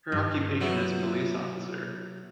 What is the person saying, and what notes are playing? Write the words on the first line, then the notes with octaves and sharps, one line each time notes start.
Her occupation is police officer.
G2
F#3 B3 E4